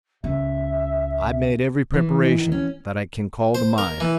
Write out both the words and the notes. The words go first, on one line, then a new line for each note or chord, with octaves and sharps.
"I've made every preparation that I can call to mind."
C#2 E5
E3
D#4
D#3
C#4
C5
A#4
E3